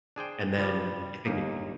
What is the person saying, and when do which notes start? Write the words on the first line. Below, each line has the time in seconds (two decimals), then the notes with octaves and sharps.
and then if it gets
0.16 D4 G#4 C5 G5
0.57 F3 G3
1.25 G1 D#2 A#3 D#4